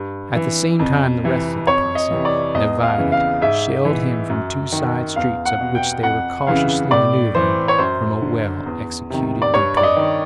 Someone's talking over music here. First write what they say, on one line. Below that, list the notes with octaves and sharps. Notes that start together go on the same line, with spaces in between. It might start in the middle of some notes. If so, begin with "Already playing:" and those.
At the same time the rest of the posse, divided, shelled him from two side streets up which they were cautiously manoeuvring from a well-executed detour.
Already playing: G2
E3
F2
C3 E3
F2 C#5
D#5
C3 E3
D5
E2 D#5
F5
C#3 E3
F5
G#2 E5
E3
F#2
D#3
E2 F5
F#5
B2
G5
F2 F#5
C#3 E3 F5
A2 D5
E3 C5
C#5
F#2 C5
D3
E2
C3 D#3
D5
G2 C#5
D5
D#5
D#3